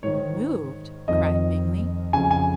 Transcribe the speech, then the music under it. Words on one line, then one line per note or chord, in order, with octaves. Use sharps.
"Removed!" cried Bingley.
G#2 D#3 C#5
F2 D#3 D#5
F2 C#3 G#5
G#5